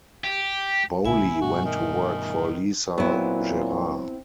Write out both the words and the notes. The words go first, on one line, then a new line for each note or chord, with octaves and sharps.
Bowley went to work for Lisa Gerrard.
G4
B1 A2 D3 E4 E5 G#5
G2 B2 F#4
D#3
A#2 F#3 B3 C4 E4